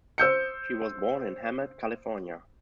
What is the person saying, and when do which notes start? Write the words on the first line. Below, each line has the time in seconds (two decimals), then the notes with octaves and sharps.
She was born in Hemet, California.
0.18 C5 E6 G6 C#7